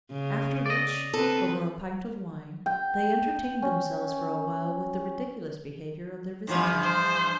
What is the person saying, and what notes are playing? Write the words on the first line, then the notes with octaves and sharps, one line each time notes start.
After which, over a pint of wine, they entertained themselves for a while with the ridiculous behaviour of their visitant.
C#3
D5 D#5
C4 A4 B4
G5
C#4
G2 E3 F3
C5